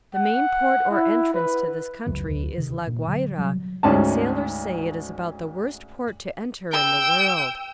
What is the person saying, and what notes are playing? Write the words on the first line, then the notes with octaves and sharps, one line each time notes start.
The main port or entrance to this country is La Guaira and sailors say it is about the worst port to enter in the world.
F#5
E4
B4
F1 C#2 F#2 D#3
D2
C3 D#3
A#2
D3 F#3
C3 F#3 G3
D2 G#2 C#4 A5
G5 E6